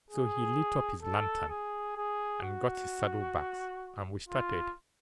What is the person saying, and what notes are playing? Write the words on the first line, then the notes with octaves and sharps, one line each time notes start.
So he lit up his lantern, and got his saddle-bags, and we started.
G#4
A4
G#4
G#4
F#4
F4